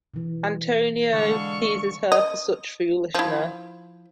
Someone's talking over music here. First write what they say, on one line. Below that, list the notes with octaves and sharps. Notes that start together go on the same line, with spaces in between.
Antonio teases her for such foolishness.
B2 E3
D3 G#3 A4 F5 C#6
D#5
F3 E4